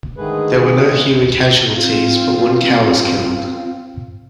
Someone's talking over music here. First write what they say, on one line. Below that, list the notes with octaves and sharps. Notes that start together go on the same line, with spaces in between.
There were no human casualties, but one cow was killed.
D3 D#3 G#3 A3 G#4 B4
C4 F4